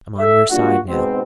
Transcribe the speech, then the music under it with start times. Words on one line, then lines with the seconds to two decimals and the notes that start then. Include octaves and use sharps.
"I'm on your side now."
0.18 A4 E5
0.50 G3 A#3 D4 F4 F#4
0.88 G#2 B2 C4